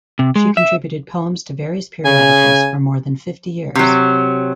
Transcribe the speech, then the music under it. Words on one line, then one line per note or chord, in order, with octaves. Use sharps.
She contributed poems to various periodicals for more than fifty years.
C3
G#3
E5
C#3 G#5
C3 F#3